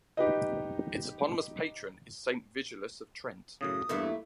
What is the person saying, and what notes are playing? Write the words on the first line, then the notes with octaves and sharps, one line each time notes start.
Its eponymous patron is Saint Vigilius of Trent.
D#4 G4 B4 D#5
F#2 A2 C#3 D#6
E2 G2 A3 A#3 E4